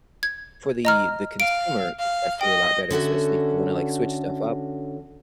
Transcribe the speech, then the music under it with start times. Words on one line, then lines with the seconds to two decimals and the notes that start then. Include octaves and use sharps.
for the the consumer, it's definitely a lot better, especially if you wanna, like, switch stuff up.
0.23 G#6
0.85 D#5 A#5 F6
1.40 F5 D7
1.99 F5
2.41 D#5 G5
2.91 D3 C#4 F#4 E5